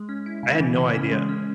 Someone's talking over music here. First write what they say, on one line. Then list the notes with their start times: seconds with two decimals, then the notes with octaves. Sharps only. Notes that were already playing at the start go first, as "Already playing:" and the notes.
I had no idea.
Already playing: G#3
0.09 C#4
0.26 E4
0.43 C#3
0.60 E3
0.78 E3
0.95 C#4
1.12 G#3
1.29 C#4